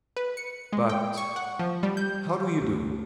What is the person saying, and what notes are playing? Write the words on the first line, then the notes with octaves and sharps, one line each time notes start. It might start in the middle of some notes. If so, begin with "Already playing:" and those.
But how do you do?
B4
C#7
G#3
G5
C#6
F#5
F3
G3
G6
D2